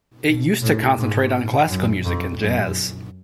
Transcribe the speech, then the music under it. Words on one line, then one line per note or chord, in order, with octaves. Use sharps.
It used to concentrate on classical music and jazz.
B2
A2
G#2
F#2
F2
F#2